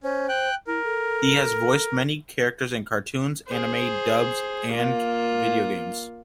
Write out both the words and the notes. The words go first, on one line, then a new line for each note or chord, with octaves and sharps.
He has voiced many characters in cartoons, anime dubs and video games.
C#4 C5
G5 F#6
E4 A#4
A4
G#4 C5
A#3 F4